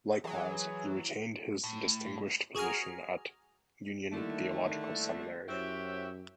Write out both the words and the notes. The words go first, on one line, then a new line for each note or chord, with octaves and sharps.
Likewise he retained his distinguished position at Union Theological Seminary.
E3 F#3 G#4
A2
F#4 G#4 G#5 A#5 F6
D3 D#3 G3 A3 A#3 E4
F#2 E4 F#4 G4 C5 C#5 E5